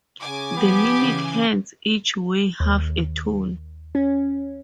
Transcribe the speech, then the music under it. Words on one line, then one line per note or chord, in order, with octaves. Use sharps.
The minute hands each weigh half a ton.
C#3 G#5 D6
F3 B3 G4
C#3 E3
D#2
C#4